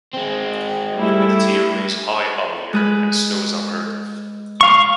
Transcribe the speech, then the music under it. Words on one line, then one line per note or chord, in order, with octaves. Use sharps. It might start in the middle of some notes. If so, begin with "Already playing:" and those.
Humidity remains high all year, and snow is unheard of.
G#3 C4
G3 A3 E4
G#3 G#4 B4
F5 C#6